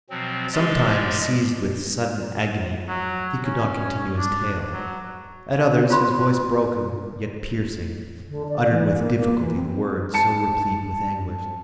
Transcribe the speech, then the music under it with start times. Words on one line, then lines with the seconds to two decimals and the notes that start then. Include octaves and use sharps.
Sometimes, seized with sudden agony, he could not continue his tale; at others, his voice broken, yet piercing, uttered with difficulty the words so replete with anguish.
0.10 B2 F3 F#3 C4
0.53 F3 G#3 G4 D5 D#5
2.88 F#3
3.44 C#4
4.18 D4
4.73 F#3
5.90 F4 C5 B5 C6
8.29 D3
8.49 D5
8.69 E3
8.98 A#3
9.15 A#3
9.39 E3
9.55 C4
10.14 A5 C#7